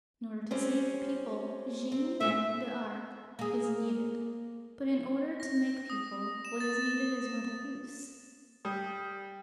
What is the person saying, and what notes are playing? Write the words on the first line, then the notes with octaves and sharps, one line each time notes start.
In order to save the people, Jeanne d'Arc is needed; but in order to make people, what is needed is Mother Goose.
G3 C4 C#4
C4
A#2 G#3 A3 E5
A#3 G#4
A#6
D#6
E7
A6
G3 D#6